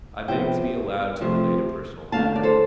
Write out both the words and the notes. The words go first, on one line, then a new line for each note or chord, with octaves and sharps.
I beg to be allowed to relate a personal matter.
C3 F3 B3 E5 G5
C3 F3 A3
D3 A3 F5 A5
D5
A4 C5